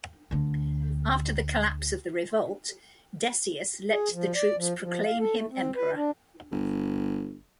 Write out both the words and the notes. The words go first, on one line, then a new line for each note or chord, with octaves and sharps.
After the collapse of the revolt, Decius let the troops proclaim him Emperor.
D2 D3
G#4
F3
D5
F3
F3
F5
A4
A3
C4
B4
D4
G1